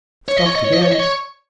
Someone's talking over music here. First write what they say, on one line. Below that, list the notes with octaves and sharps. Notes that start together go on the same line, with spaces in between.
Stopped again.
C#5
D#5
C#5
D#5
C#5
D#5
C#5
D#5
C#5